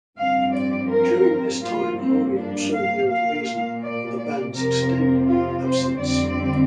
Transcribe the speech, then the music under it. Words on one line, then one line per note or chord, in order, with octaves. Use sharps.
During this time Harvey also revealed the reason for the band's extended absence.
G2 F3 C4 F5
D5
A#4
G2 F3 A#3 F4
C4
D4
F5
A#2 A#3 F5
D5
D5
F2 C3 F3 C4 A#4
F4
C5
F2 D3 G3 C4 D5